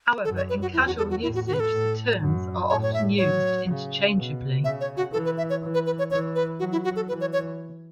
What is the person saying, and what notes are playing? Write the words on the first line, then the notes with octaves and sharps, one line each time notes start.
However, in casual usage, the terms are often used interchangeably.
F#2 A4
C#5
B4
F#4
E2 E4
F#4
A4
F#4
A2 E4
F#4
F#4
B4
A4
A2
F#2
A2 C#5
C#5
E5
F#3 C#5
C#3
B2
C#3 E5
C#5
F#4
E3 A4
B4
E5
C#5
E3
B4
B4
C#5
E3 C#5
B4
F#3 F#4
E4
F#4
A4
E3 B4
C#5
C#5